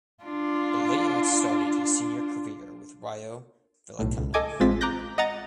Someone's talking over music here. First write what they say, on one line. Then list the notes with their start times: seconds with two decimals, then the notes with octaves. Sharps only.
Balea started his senior career with Rayo Vallecano.
0.23 D4 F4
3.99 B1 A2
4.17 C#2
4.34 A4 D#5 G#5 D6 G#6
4.60 A1 G#3 C4 F4 A6 B6
4.81 A#5 D6 F#6 G6 A#6
5.18 D#5 F#5 A#5 A6